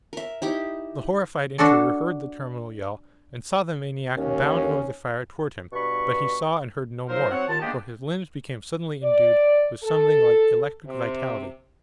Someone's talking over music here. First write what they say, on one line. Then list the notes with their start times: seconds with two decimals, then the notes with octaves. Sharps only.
The horrified intruder heard the terminal yell, and saw the maniac bound over the fire towards him, but he saw and heard no more, for his limbs became suddenly endued with something like electric vitality.
0.13 A#4 E5
0.42 D#4 E4 G4
1.58 D4 F#4 A4 D5
4.17 D#2 C#4
5.73 G2 B2 B5 C#6
7.09 F3 F#3 D#4 A#4 C5
7.31 F#3 C4 C5 C#5 F#5
7.48 D#2 D#3 F4 A5
7.61 G#3 A#3 B3 D4 D#4 G4
9.03 D5
9.84 A4
10.87 C3